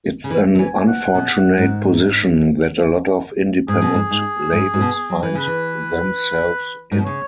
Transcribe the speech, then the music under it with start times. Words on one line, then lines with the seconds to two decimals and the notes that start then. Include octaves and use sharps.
It's an unfortunate position that a lot of independent labels find themselves in.
0.24 C#3
0.30 E3
0.55 F#3
0.59 E3 G#5
0.88 F#5
1.15 B2
1.57 G#2
3.68 G#2 G#4
3.82 B2
3.94 G#2
4.11 G#2
4.52 G#2
4.74 G#2
4.81 B2
5.10 F#3
5.23 E3
5.35 C#3 B4
5.47 E3
6.91 G#2
6.98 B2
7.05 C#3 C#5